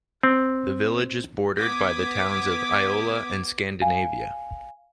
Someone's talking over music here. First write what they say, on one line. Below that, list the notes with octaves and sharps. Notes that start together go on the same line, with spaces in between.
The village is bordered by the towns of Iola and Scandinavia.
C4
B3 D6 D#6 G#6 B6 D7
F5 G#5